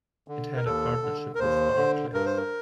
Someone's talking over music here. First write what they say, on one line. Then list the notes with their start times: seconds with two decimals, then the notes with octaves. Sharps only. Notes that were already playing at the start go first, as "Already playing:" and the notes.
It had a partnership with Barclays.
0.28 D3
0.56 A#4
0.65 D#2 A4
1.02 D3
1.35 A#4
1.39 D#2 C5
1.77 D3
2.13 G2 A#4
2.26 C5
2.37 A#4